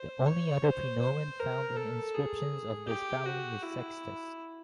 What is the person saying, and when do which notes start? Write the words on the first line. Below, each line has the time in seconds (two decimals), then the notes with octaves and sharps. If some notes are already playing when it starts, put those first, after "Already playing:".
The only other praenomen found in inscriptions of this family is "Sextus".
Already playing: C5
0.27 C#5
0.64 C5
1.01 C5
1.39 A#4
1.76 A4
2.14 G#4
2.88 G4
3.26 F#4
3.63 E4